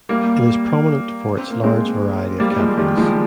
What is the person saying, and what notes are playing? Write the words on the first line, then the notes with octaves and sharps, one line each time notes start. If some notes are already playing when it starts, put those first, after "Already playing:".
It is prominent for its large variety of cafes.
G3 A#3
C4
A#3
G#3 C4
G3 A#3
G3
F3 G#3
D#3 G3
F3 G#3